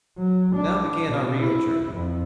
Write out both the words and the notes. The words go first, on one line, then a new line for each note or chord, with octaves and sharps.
Now began our real journey.
F#3
D4
B2
E4
F2